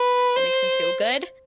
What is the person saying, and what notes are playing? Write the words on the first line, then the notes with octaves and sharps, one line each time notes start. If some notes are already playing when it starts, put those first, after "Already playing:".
that makes them feel good.
Already playing: B4
C5